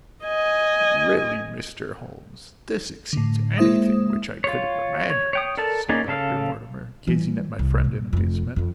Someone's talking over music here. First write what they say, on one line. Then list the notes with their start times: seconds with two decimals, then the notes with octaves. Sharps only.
"Really, Mr. Holmes, this exceeds anything which I could have imagined," said Dr. Mortimer, gazing at my friend in amazement.
0.24 D#5 G#5
3.13 A2 D3
3.58 G#3 A#3 E4 C5 E5 D#6
4.44 F4 C#5
5.10 C#5
5.33 C#5 G5 D#6
5.57 A4 A#4 D5 A5
5.89 A#3 C#4 D#4 G#4 D5
6.08 C#3 A4 F5
7.07 E3 G3
7.59 C2
7.84 A#2
8.13 F1 F2
8.56 F2 F3